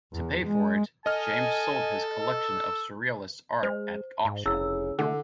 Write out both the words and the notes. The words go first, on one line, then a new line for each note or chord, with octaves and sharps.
To pay for it, James sold his collection of Surrealist art at auction.
E2
G#3
A4 D#5 G#5 F6
E6
G#3 C5
G#2
F1 C#3 E4 E6
D3 A3